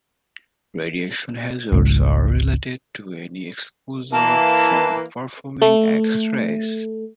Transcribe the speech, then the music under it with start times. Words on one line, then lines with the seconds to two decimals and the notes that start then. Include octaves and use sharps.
Radiation hazards are related to any exposure from performing x-rays.
1.72 G#1 C#2
4.12 E3 A#3 A5
5.62 A3